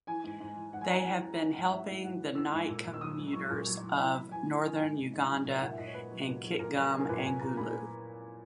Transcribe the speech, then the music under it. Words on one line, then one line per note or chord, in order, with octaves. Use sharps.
They have been helping the Night Commuters of Northern Uganda in Kitgum and Gulu.
E3 G#5
G#2
G#2
E3
G#2 F#5
G#5
G#2 A#5
G#5
E3 F#5
E3
E3
G#2
G#2 E5
G#2
G#2 F#5
E3
E3 E6
G#2
A#2
A#2
E6
F#3 D#6
F#3
F#3 C#6
A#2
F#3
F#3
E3 B5
E3
E3 G#5
E3
E3
G#2
G#2
G#2
F#3
A#2
A#2 F#5
E5
A#2 D#5
C#5
A#2 B4
F#3
A#2
F#3
A#2 A#4
F#3
F#3 G#4
A#4
A#2 B4
C#5
A#2 G#5
A#2 A#5
A#2 B5